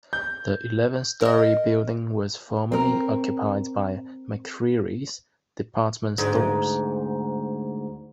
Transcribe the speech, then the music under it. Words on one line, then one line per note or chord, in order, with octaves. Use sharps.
The eleven-story building was formerly occupied by McCreery's Department Stores.
G6
A#4 D#5
C4 A#4
D2 G#2